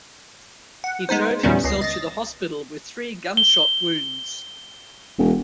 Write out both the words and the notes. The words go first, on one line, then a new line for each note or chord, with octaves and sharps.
He drove himself to the hospital with three gunshot wounds.
F#5
G#3 B3 D#4 C5
E2 A#2 D#3 G3 B3 C#4
C#2 D#5 C7
D#5 A6 A#6
G7
E1